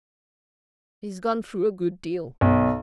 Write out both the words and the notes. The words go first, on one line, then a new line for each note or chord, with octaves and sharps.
He's gone through a good deal.
B1